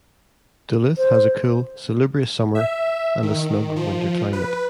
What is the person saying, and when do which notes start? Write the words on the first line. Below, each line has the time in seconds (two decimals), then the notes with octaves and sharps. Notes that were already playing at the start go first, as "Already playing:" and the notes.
Duluth has a cool, salubrious summer and a snug winter climate.
0.97 C5
2.55 E5
3.23 D#3
3.76 F3
4.33 B4